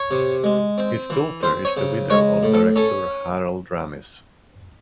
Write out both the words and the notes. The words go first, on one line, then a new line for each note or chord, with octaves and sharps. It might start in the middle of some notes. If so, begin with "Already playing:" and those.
His daughter is the widow of director Harold Ramis.
Already playing: C#5
C3
G#3
C4
E3
C4 C5
C#5
C#3
G#3 C#5
A2
A4
C#4 A4